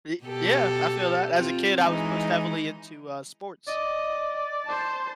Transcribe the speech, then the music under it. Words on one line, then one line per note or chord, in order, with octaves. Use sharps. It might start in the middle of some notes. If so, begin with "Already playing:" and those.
Ye yeah. I feel that. As a kid, I was pushed heavily into, uh, sports
B2 G4 A4
C4 F4
E3 G#3 D#4
D5 D#5
C5 A5